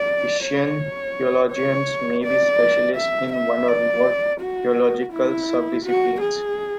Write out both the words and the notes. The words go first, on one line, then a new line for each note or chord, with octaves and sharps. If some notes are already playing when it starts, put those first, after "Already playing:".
Christian theologians may be specialists in one or more theological sub-disciplines.
Already playing: D5
C#5
C#5
D5
E5
E5
D5
F#4
E4
F#4
G#4